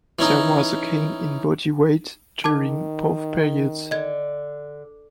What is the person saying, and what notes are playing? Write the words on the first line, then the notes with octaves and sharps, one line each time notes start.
There was a gain in body weight during both periods.
E3 C#4 D#4
D#3 A5 D6 G#6
D3 D#5 G#6